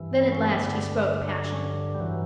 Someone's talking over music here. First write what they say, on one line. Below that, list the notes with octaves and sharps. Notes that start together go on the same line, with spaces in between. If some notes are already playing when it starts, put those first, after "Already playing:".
Then at last he spoke passionately.
Already playing: G2 E3
B3
C#4
B3
G2 D3 B3
D4
C#4
G3
G2 E3 F#3